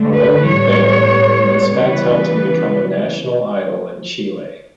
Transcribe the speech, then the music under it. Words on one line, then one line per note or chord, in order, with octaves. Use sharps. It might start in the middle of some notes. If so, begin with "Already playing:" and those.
Although he failed, this fact helped him become a national idol in Chile.
Already playing: D3 A3
B4
A2 G3 B3 C#5
C#3 E3 G3 B3 B4